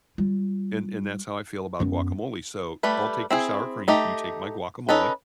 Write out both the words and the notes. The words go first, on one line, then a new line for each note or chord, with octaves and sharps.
And and that's how I feel about guacamole. So, I'll take your sour cream, you take my guacamole,
G3 F4
F#2 B3
G3 A3 B4
C4 E4 G#4
A3 D#4 G4
C#4 D#4 A4 B4